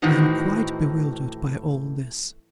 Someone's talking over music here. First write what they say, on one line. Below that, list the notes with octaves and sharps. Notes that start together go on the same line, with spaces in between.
I am quite bewildered by all this.
A2 D#3 E3 C4 D#4 F#4